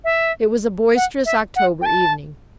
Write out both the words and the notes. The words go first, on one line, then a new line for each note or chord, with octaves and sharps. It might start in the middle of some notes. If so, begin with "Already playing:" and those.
It was a boisterous October evening.
E5
F#5
E5
F#5
G5
A5